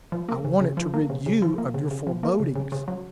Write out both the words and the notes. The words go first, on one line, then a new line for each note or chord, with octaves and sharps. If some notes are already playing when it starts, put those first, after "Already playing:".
I wanted to rid you of your forebodings.
F3
A#3
C#3
C#3
F3
A#3
C#3
C#3
F3
A#3
C#3
C#3
F3
A#3
C#3
C#3
C#3
F#3